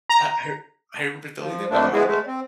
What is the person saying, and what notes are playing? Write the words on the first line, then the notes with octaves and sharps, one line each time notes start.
uh, I r I remember the only thing about Out of the
A#5
F3
F2 D3 F3 A3 A#3 D4
F3 G#3 B3 E4 F#4 G#4
G#3 A3
C4